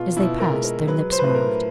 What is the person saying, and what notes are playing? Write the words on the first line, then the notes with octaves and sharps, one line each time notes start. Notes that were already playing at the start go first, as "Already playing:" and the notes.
As they passed their lips moved.
Already playing: B2 G#3 F4
B2 E4
A#4
G#3
A#4
F#3 B4
C5
B4
A2 C5
A#4